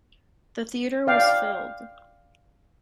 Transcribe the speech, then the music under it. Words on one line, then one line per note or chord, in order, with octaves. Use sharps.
The theater was filled.
D5 F5 G5